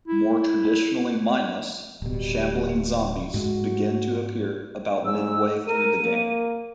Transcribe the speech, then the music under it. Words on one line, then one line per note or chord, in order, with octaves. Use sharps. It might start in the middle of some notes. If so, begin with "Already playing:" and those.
More traditionally mindless, shambling zombies begin to appear about midway through the game.
E4
D1 B2 G3
G#2 G#3 F#4
G#2 E6
A#4 D#7
A#3